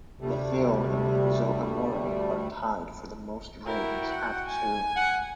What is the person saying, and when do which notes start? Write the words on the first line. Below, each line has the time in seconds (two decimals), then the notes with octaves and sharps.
Neville and Enzo Amore are tied for the most reigns at two.
0.20 D2 C3 G3 A3
3.66 E4 F#4 A#4 G5
4.11 F#5
4.48 G#5
4.96 F#5